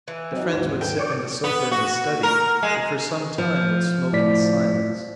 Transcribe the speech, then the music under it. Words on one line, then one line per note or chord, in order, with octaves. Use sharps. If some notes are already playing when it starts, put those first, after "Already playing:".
The friends would sit on the sofa in the study and for some time would smoke in silence.
E3
F#3 C4 D#4
D#2 G#2 E4 C5
A4 B4 G5
C#5 D5
B3
F#4
A#4
G#3
F3
A2 D5 B6